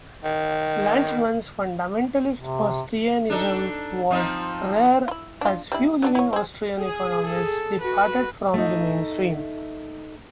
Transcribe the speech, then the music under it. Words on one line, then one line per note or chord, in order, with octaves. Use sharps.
Lachmann's "fundamentalist Austrianism" was rare as few living Austrian economists departed from the mainstream.
D#3
C3
D4 D#4 A4
F3 C4 D#4
E4 F4
D4 F4
G3 D4 E4
F#3 G#3 D4
E4 C#5
C4 G#4
G#4
A4
F#4 B4
A3 D#4